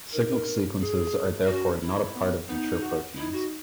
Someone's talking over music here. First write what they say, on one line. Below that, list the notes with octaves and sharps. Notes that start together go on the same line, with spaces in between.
Signal sequences are therefore not a part of mature proteins.
D#4 A#4
G#4
C#4 F#4
E4
B3
B3 D#4
F#4
D#4 E4
F#4